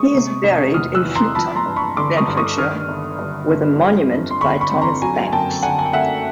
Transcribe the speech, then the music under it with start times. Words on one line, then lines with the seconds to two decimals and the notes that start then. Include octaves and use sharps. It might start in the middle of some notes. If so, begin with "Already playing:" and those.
He is buried in Flitton, Bedfordshire with a monument by Thomas Banks.
Already playing: G#3 C#6 D#6
0.14 C3
0.44 F1
0.74 E2 D#6 F6
0.95 E6 F#6
1.05 E3
1.15 A#5 C6
1.35 F3 A5 B5
1.55 A#5 C6
1.66 G2
1.76 B5 C#6
1.97 D3 C6 D6
2.17 C#6 D#6
2.28 G2
2.37 C#6 D#6
2.57 D#3 D#6 F6
2.88 G1
3.19 G2
3.49 G1
3.80 G3
4.11 F2
4.31 C6
4.41 D3 B5 C#6
4.61 B5 C#6
4.71 C4
4.81 A#5 C6
5.02 F#3 G#5 A#5
5.28 G#5
5.32 F#2 G5 A5
5.63 D3 F#5 G#5
5.79 G#5
5.86 G5
5.93 A3 E5 F#5